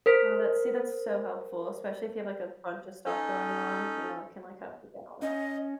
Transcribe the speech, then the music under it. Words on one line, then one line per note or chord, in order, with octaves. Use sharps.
Oh, that's see, that's so helpful, especially if you have like a buncha stuff going on, you know, it can, like, help you get all that.
A#4 C5 B6
C#4 D#4 A4
C#4 D#5